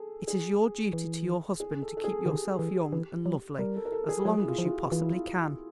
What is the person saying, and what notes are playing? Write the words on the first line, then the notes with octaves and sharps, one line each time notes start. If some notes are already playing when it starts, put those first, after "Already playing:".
It is your duty to your husband to keep yourself young and lovely as long as you possibly can.
Already playing: G#4 A4
G#4
E3
G#4
A4
A4
G#4
D#3 G4
E3
E3
F#3
G3 A#4
A4
A#4
A4
G#4
F#3 G#4
E4
F4
F3
F4
F#4
E3 F4
E4
F4